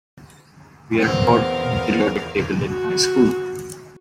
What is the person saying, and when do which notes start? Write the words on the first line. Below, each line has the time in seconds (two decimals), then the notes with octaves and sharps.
We are taught the periodic table in high school.
0.99 E2 B3 C4 A#4 F5
2.67 F#4